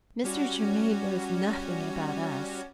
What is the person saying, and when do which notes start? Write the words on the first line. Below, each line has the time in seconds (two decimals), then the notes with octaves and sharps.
Mr. Germaine knows nothing about us.
0.24 G3 C#4 F#4